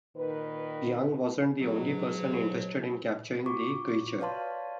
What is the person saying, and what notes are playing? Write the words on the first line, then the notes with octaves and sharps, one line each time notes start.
Young wasn't the only person interested in capturing the creature.
A#2 D#3 B4
G#2 B2 F#3
F4 F#4 C#6 D6
B4 C#5 D5 F5 A5 C6